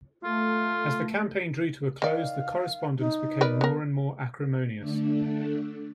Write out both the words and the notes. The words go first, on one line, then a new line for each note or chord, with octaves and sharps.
As the campaign drew to a close, the correspondence became more and more acrimonious.
A3 F4
D#3 D5 F5
D#4
A#4 B4 D5
B3 A#4
D3 A3 D4